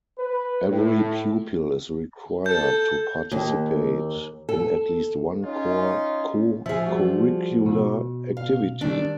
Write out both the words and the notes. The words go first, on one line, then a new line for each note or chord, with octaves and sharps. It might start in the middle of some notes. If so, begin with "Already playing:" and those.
Every pupil is required to participate in at least one core co-curricular activity.
B4
A2
A4 G6
D#2
A4
C#4 D#4 F4
F3 G#4 E5
G3 F#4
B2
F5
D#3 G3 D4